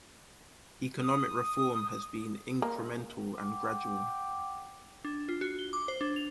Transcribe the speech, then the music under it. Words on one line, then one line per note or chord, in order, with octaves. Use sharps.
Economic reform has been incremental and gradual.
D#6
A#3
F#5 G5 D6
D4
F4
F#4
G7
D6
C5
D4
F7